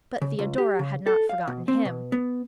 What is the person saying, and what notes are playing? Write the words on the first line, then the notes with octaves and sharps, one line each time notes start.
But Theodora had not forgotten him.
C#3
C#2
G4
C#3
A4
F5
B2
C4
B2
B3